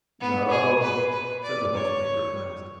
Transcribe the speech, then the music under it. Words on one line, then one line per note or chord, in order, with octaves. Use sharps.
"No," said the horse-breaker, at last.
B3
G#4
B4
B4
D5
C#5